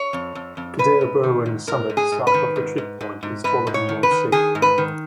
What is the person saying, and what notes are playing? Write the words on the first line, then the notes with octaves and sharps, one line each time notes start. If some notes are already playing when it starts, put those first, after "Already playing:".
Cadair Berwyn's summit, south of the trig point, is taller than Moel Sych.
Already playing: C#5
F2
F2
F2
G#2 B4
G#2
D#3
G#2
G#2 A#4
G#2
G#4
G#2
B4
D#3
G#2
G#2
G#2
G#2
G#2 B4
G#2
C#5
D#3
B4
D#3
D#3 G#4
G#2
B4
D#3